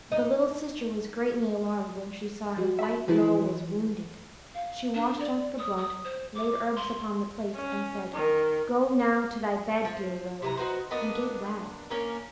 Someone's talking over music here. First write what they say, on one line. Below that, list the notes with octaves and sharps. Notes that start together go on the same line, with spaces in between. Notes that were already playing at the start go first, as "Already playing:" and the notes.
The little sister was greatly alarmed when she saw her white roe was wounded; she washed off the blood, laid herbs upon the place, and said, "Go now to thy bed, dear Roe, and get well."
D#4
F3 F#4
E5 B5
E3 F3 E4 G#4 B4
F5
D4
D5
D#6
D#6
C5
D6
C6
C#4
D#3
F3
C3 E3 A#5
D#4 F#4 B4 C5
A#3 B3 D4 D#5
A#3 C#4 D4 A#4